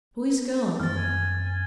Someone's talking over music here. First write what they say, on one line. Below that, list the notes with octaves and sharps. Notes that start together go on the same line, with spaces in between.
Who is gone?
F#2 F6 A6
G#5
G#5